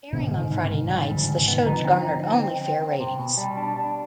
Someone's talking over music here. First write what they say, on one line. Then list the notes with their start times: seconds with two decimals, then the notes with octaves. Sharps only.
Airing on Friday nights, the show garnered only fair ratings.
0.13 G#2 B2 D3
0.32 G#2
0.38 C3 D#3
0.51 G#2
0.63 C3 D#3
0.71 G#2
0.89 C3 D#3 G3
1.09 G#2
1.15 D3 F3
1.28 G#2
1.40 C3 D#3
1.47 B3
1.66 D3 F3 D#4
1.85 C4
2.04 D#4
2.23 C4
2.43 C4
2.61 C4
2.80 C4
3.00 C3
3.19 B2
3.38 G3
3.57 D4
3.76 D4